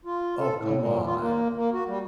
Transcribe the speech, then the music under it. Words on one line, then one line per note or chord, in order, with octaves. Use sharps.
Oh, come on.
F4
A4
A2
A#2
F4
A#3
A#3
F#4
G3